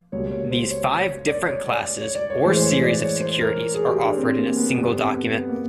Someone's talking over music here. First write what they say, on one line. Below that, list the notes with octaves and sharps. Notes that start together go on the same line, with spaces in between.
These five different classes or series of securities are offered in a single document.
C#2 B2 G3 A#3 C#5
C#5
C5
C#5
C#5
D5
C#5
D5
C#5
D5
C#5
A2 E3 G#3 C5
C5
C#5
D5
C#5
C5
A#4
G#4
G4
D4
C4
A#3
B3
G2 D3 G3 B3
C4
B3
B3
A#3